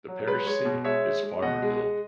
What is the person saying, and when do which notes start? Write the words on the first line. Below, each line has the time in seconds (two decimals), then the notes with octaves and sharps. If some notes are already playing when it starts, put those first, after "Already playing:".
The parish seat is Farmerville.
0.08 F#3
0.27 G#3 B4
0.47 G#3 C#5
0.65 B2
0.84 G#3 C#5 E5
1.04 G#3
1.23 G#3
1.42 B2 D#5 F#5
1.62 G#3
1.81 G#3